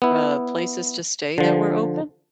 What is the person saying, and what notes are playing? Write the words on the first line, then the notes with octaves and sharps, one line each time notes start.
uh, places to stay that were open?
B3 E4
D3 F3